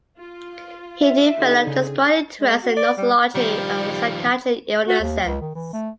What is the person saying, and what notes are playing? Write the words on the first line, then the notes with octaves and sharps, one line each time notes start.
He developed a strong interest in nosology of psychiatric illnesses.
F4
E5
D3 D#4 G4
C#3 G#4
G#3
F#4
D5
G3
D#3 F3 G3
F#4
D#2
C#2
D#3
E3
A3